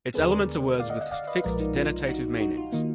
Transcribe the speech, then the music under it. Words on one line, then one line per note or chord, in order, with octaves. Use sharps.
Its elements are words with fixed denotative meanings.
D#2 D3 G#3 B3 G#4 B4
A#4 D5
D5 F5
D#5 F#5
D#5 F#5
D5 F5
B4 D#5
B1 A#2 F3 G#3 A#4 D5
D#4
F4
D#4 F#4
D#4 F#4
F4
D#3 A#3 D#4